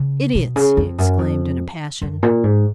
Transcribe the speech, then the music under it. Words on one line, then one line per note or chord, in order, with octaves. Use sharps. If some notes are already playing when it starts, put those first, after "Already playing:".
'Idiots!' he exclaimed, in a passion.
Already playing: C#3
B2
C#3
F2
F#2
F2
F#2
A#2
G#2